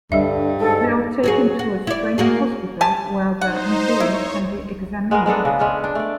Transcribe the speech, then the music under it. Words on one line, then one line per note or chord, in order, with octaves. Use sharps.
They are taken to a strange hospital where their injuries can be examined.
G2 D3 G3 D#5 E5
G#2 A4
F#3 F#4 G#4
F#4
E4 D5
A#3 F#4 G#4
G4 G#5 A5
D#4 C5 F#5
E4 C#5
G#3 B3 G#4 A#4
G#3 B3 D4 A4
C#3
G#3 C#4 D4
D4
A3 D5